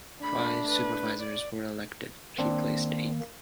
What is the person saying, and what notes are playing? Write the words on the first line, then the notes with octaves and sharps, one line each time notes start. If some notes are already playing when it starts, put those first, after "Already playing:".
Five supervisors were elected; she placed eighth.
A3 D4 B5
B4
D5
D#3 A#3 C4 D4